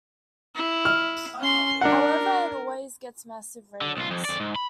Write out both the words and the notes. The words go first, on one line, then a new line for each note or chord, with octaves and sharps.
However it always gets massive ratings.
E4
F6
C#4 C6
D4 A#4 F#5
D3
B1 F4
F2
F2 D5
G#2
B5